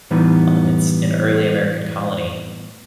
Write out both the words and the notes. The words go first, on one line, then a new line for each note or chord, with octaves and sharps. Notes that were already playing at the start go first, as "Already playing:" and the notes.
Um, it's an early American colony,
A2 E3 G3 B3 D#4 B5